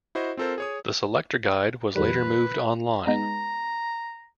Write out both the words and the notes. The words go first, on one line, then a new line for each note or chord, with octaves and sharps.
The selector guide was later moved online.
E4 F#4 C5 D#5
C4 F4 A4 A#4 C5
G#4 C#5 D#6
F2 D#3 G3 B4
G#3 B3 D#4 A#5